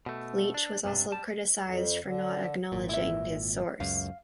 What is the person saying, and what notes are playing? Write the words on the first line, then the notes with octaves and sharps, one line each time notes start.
Leach was also criticised for not acknowledging his source.
B2 A3
D4
B1 G2 C3 D4
G3 A5
F2
D3
G#1 A#2
E4 E5
C#2 F#2 F5